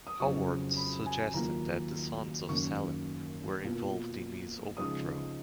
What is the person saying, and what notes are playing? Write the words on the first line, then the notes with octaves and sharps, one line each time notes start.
Howorth suggested that the sons of Selim were involved in his overthrow.
D#6
F2 C#3 F#3 C#6
B5
G#5
D#2 D#3 F#3 A#3 F4 A#5
F#2 D#3 A#3 C#6
B2 A#3 F4
C#3 F3 G#3 D#4 D#6